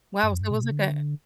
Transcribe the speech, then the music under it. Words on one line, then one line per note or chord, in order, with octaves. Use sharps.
Wow, so it was like a
G2
F2
G2
C3
A#2
C3
D3